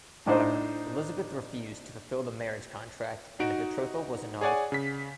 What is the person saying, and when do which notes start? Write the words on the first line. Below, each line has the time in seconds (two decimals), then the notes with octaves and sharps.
However, Elizabeth refused to fulfill the marriage contract and the betrothal was annulled.
0.26 A2 D4 D#4 C5 D#6
3.40 D#4 F#4 D7
4.41 G#4 C#5 D5 F#5 G#5
4.72 C#3 B6